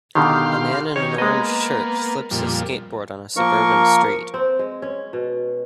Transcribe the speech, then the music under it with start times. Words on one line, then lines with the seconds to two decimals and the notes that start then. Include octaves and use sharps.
A man in an orange shirt flips his skateboard on a suburban street.
0.15 B2 D3 D#3 G4 F5 C6
0.96 D#3 C#4 G4 C#5
1.18 G#3 A#3 B3 D#5
2.31 F2 A#2 G3
3.37 F3 A#3 A#4 C#6
4.34 C4
4.59 G#3
4.82 C#4
5.13 B2